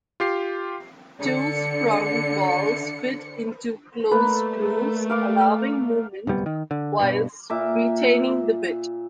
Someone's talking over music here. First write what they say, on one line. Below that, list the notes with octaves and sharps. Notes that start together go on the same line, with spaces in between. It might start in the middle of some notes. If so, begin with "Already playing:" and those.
Two sprung balls fit into closed grooves, allowing movement whilst retaining the bit.
F4 G4 C7
D3 C#7
A3 A#3 B4 A#5
A#4 F5 D6
D1 C2 G3 B3
D#3
D3
G2 B2
A#2 E5 D6